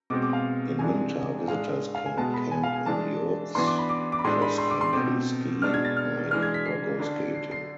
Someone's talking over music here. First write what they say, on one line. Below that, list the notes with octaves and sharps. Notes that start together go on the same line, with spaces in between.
In winter, visitors can camp in yurts, cross-country ski, hike, or go skating.
B2 G#3 C4 D6
D6
F5
C3 E3 G#3 D4 G#5
A2 G#3 D4 F5
F5
G#5
B2 G#3 B3 A5
B5
G#5
F5
G#5
E3 G#3 D4 A5
E3 B3 D4 C6
D6
B5
D6
D6
B5
A2 G#3 D4 C6
B5
C6
D6
C6
B2 A3 C4 D6
B2 G#3 D4 F6
G#6
A6
F6
E3 G#3 D4 F6
G#6
B6
C7
D3 A3 D4
C7
C7